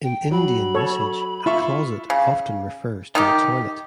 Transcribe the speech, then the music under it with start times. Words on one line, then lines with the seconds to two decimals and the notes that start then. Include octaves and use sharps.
In Indian usage, a closet often refers to a toilet.
0.04 G5
0.31 F#3 B5
0.75 A4 C#5
1.46 E4 F4 E5 C#6
2.10 C#3
3.15 D#3 D#4 G4